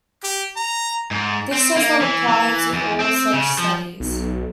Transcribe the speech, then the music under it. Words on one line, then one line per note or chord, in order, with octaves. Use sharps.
This does not apply to all such studies.
G4
A#5
G#2
C4
A#3
E3
E3
E2
C4
C#3
F3
B1